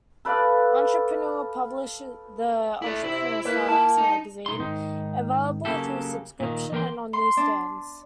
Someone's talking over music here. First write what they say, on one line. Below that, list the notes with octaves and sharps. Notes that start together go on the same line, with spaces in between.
"Entrepreneur" publishes the "Entrepreneur StartUps" magazine, available through subscription and on newsstands.
A4 B4 D5 F5
A3 E4 D5
C3 E4
A#3 B4
A5
D#4
B1 D#4 C6
G#2 D#3 D#4
C#3 F#3 A#3 G4 A4
A#2 D#3
E3 A#3 A#4 B4 G5 C6
C6
D4